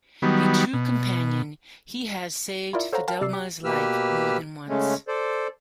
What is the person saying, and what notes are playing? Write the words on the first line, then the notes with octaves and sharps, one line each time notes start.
A true companion, he has saved Fidelma's life more than once.
D#3 F#3 G3 B3
B2
E4 F4 A#4 D5 E5
A4 C5 C#5 F5 F#5 A#5
A#4 F5 G5 A5 B5
C3 D5 E6 C7
G4
B2 A#3 G4 B4 E6 F6
C#3 G#3 A3 C#4
A4 C5 D5